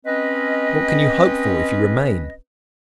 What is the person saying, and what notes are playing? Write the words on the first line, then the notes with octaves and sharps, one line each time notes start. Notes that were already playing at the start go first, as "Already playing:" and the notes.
What can you hope for if you remain?
C4 C#4 B4 D#5